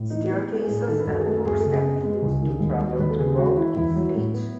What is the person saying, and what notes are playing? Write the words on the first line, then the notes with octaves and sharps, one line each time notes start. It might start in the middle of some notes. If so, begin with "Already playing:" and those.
Staircases and doors can be used to travel throughout each stage.
Already playing: A2
E3 D#4
B3
G#3
G#4
A2
B4
D#3 A4
B4
F#2 A4
G#4
A3 A4
F#2 G#4
A4
C#3
G#4
B3
G#3
C#2
D#3
D#2
F#3
D#2 B4
A4
C#3 G#4
G#3 F#4
E3 E4
E2 E4
F#3
A2
B3